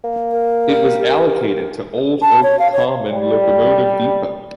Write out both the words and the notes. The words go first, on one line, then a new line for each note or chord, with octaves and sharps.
It was allocated to Old Oak Common locomotive depot.
A#3
A#4
G3
A5
C#5
F5
C#5
G3